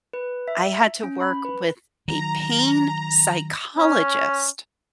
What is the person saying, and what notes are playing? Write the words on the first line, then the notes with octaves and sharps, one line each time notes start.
I had to work with a pain psychologist.
B4
E5
C#4
B5
B4
D#3 F#3 A#5
C#4